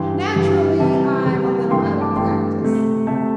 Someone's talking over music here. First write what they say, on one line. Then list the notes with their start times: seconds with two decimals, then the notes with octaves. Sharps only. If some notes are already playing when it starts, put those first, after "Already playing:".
"Naturally I'm a little out of practice."
Already playing: G2 E3 G3 G5 C6
0.34 G2 E3 G3
0.80 C3 E3 G3 E5 A5
1.25 C3 E3 G3
1.71 G2 E3 A3 G5 C6
2.01 A5 D6
2.16 G2 E3 A3 G5 C6
2.61 C3 A3
3.07 C3 A3 E5 A5